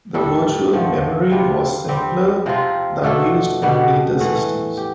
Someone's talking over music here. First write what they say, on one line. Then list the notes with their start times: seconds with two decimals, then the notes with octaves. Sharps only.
The virtual memory was simpler than used in later systems.
0.14 A2 G3 D4 A4
0.73 D3 F3 A3 C4
1.31 C3 G3 D4 F4
1.88 G3 C4 G4
2.46 C3 F3 C4 F4
3.04 B2 A3 D4 A4
3.62 B2 B3 D4 G4
4.20 A2 E3 A3
4.77 G4